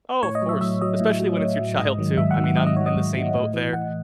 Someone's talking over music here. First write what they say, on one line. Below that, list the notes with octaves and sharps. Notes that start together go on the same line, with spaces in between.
Oh, of course. Especially when it's your child, too. I mean, I'm in the same boat there.
A2 C#5
D#5
F#3
E5
A2 E5
F#3 D#5
A2
F#3
A2
F#3
G#2 D#5
D#3 F#3
G#2 E5
F#5
D#3 F#3
F#5
G#2 D#5
D#5
D#3 F#3 C#5
D#5
G#2
D#3 F#3
A2
E3
A2 F#5